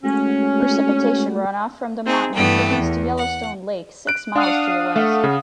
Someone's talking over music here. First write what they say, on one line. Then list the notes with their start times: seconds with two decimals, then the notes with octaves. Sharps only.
Precipitation runoff from the mountain drains to Yellowstone Lake six miles to the west.
0.04 G#3 A3 C#4 F#4
2.05 C4 D#4 G#4
2.35 G2 E3 A3 B3 G5
2.79 E2
3.17 F#5
4.07 F#6 D7
4.36 D4 F5 F#5 D#6
4.96 A3
5.24 C#3